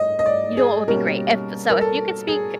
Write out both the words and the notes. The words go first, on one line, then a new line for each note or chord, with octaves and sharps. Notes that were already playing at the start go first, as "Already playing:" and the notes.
you know what would be great? If so if you could speak
Already playing: D#5
D#5
D5
G#4
B2 G3 A#3 C#4 A#4
A#4
A4
G#4